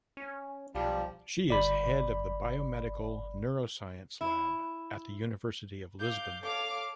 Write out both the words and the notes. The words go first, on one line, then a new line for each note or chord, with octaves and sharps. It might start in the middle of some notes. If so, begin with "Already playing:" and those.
She is head of the Biomedical Neuroscience Lab at the University of Lisbon.
C#4
B1 F3 G3
G1 D5 B5
E4
F5 D6 G6
A4 C#5 F5 D6